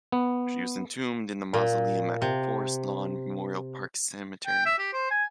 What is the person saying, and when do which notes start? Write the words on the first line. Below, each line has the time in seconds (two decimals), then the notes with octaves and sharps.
She was entombed in a mausoleum at Forest Lawn Memorial Park Cemetery.
0.12 B3
1.54 A#2
2.22 C3
4.47 G5
4.66 E5
4.78 G4
4.93 C5
5.10 G#5